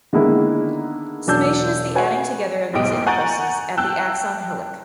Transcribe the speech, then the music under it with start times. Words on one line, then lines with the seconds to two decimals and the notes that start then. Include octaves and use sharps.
Summation is the adding together of these impulses at the axon hillock.
0.13 D3 D#3 G#3 A#3 B3 E4
1.27 E1 F#3 D4 A5 E6 G6
1.95 F#4 B4 C#5 F#5 G#5
2.73 B1 E2 G#2 G4 D#5 D7
3.07 F#5 G#5 A#5 C#6 G6 A6
3.77 G5 A5 E6 F#6 G6